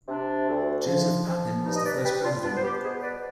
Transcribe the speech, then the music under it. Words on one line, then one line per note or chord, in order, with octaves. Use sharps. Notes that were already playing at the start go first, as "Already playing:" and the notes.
Joseph Papin was the first president.
C3 D4
D2
F3
F3
G2 D#4
D#5
B4 D5
G2 G4 B4
D4 F4
B3 D4 F4
C5
G4 B4
B2 G#4 C5
B4 D5